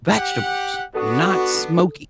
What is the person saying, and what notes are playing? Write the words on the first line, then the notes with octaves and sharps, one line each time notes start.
vegetables, not smoky.
G4 F#5
B3 D4 F#4 A4 D#6